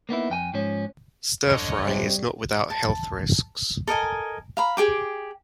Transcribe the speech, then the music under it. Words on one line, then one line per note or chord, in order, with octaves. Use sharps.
Stir frying is not without health risks.
A#3 B3 D#4 E4
F2 G5 G#5
G#2 F3 C#4
D3 C#5 D#5
C3 G3
A5
A4 A#4 D#5 G#5
F5 A#5 B5
G4 G#4 G5 D6